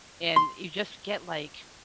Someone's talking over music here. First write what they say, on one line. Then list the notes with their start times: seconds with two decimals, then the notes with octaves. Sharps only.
and you just get like,
0.36 C6